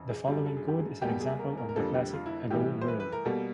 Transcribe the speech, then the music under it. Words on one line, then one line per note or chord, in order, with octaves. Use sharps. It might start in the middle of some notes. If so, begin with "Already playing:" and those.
The following code is an example of the classic Hello World!
Already playing: F2 C#3 E3
G#4
F#2 D3 G3 G#4
A4
G#4
G4
G#4
E2 B2 G3 A#3 G4
G#4
A#4
A#4
A#4
F2 D3 G3 A#3 A4
G4
F4
E4
A2 E3 G3 G4
C5
B4
B4
A#4
B2 G3 A#3 A4